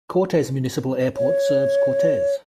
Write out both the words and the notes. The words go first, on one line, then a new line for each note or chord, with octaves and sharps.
Cortez Municipal Airport serves Cortez.
C#5